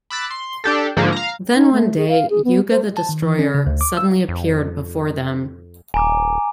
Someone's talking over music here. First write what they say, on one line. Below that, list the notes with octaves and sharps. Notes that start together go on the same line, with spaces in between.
Then one day "Yuga the Destroyer" suddenly appeared before them.
B5 D6 E6 F#6 A6
C6
D4 G4 A4
G#2 D3 F3 A#3
F5 A#5
D#4
A3
G#4
F5
G#4
B3
C5
A5
D#3
E3
C#4
C#3
D2
D6
E6
F2
D#1 G#5 A#5 D6